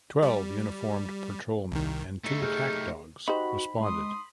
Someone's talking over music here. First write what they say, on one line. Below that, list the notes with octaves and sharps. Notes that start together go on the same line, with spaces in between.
Twelve uniformed patrolmen and two attack dogs responded.
G3
C2 D#3
A3 D#4
G4 G#4 F6 G6
D#4 F#4 G4 C5 B5
G#3 C6 D#6